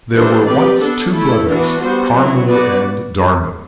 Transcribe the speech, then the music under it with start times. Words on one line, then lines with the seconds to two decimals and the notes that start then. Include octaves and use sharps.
There were once two brothers Karmu and Dharmu.
0.13 E3 G3 D4 A4 C5
0.47 C4 G4 B4 D5
0.80 B3 D4 A4
1.13 A3 E4 A4
1.46 E3 B3 D4 F#4 B4
1.80 G3 B3 F#4 C5
2.13 F#3 C4 E4
2.47 B3 F#4 B4 D5